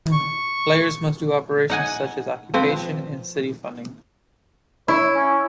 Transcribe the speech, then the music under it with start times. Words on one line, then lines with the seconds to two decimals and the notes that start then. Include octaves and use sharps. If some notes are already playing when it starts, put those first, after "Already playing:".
Players must do operations such as occupation and city funding.
0.12 C#6
1.70 D#4 F#5 G#5
2.54 F3 C4 B4
4.88 E4 C#5
5.15 C#4